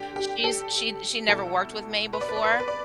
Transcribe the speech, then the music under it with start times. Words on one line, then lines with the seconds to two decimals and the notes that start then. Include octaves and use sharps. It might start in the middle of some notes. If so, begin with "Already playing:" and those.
She's she she never worked with me before
Already playing: D3 A3 D4 G4
0.16 G4
0.44 A4
1.28 B2 G3 E4 A4
2.13 B4
2.21 D5
2.29 B4
2.36 D5
2.44 B4
2.53 D5
2.60 B4
2.68 D5